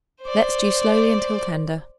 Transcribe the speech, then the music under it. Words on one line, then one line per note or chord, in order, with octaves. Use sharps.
Let stew slowly until tender.
C5 D5